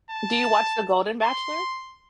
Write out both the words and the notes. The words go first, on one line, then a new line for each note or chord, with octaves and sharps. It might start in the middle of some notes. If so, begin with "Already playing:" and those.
Do you watch The Golden Bachelor?
A5
C6